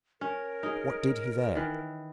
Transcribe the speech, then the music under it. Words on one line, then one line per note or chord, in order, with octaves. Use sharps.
What did he there?
C#4 A#4
D#4 G#4
D#3 E3